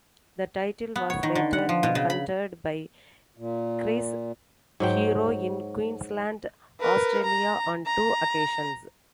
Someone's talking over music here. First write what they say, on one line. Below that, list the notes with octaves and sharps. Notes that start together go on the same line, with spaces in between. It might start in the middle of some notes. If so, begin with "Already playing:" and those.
The title was later defended by Chris Hero in Queensland, Australia on two occasions.
B3
C#5
D#3
D3
F#5
F3
B2
C#3
B5
A#2
G#2 F#3 G5
A#4 B4
A#5
A#5